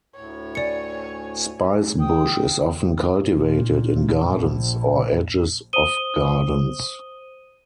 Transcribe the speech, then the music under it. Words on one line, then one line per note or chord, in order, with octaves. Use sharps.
Spicebush is often cultivated in gardens or edges of gardens.
D2 A2 C#5
D5 G#5 C#7
F3 G#3 G5 D#6
A#2
A#1
C5 D#6 D#7 G7